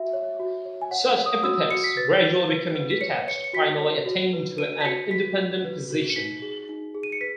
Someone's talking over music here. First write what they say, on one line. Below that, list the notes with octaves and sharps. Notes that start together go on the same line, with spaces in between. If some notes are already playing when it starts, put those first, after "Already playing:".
Such epithets gradually becoming detached finally attained to an independent position.
Already playing: F#4 E5
C#5
F#4
C#5
G#5
C#5 F#5
F#5
C#5
D#6
F#4 E6
F#4 C#7
B6
B4 A6
B4
B4
B4
B6
C#5 C#7
C#5 C#7
C#7
F#4 B6
C#5
F#4
B4
B4 D#7
B6
F#4 C#7
F#4 B6
F#4
B4
F#4
C#7
D#4 B6
G#4
D#4
G#4
D#7
C#7
B4 B6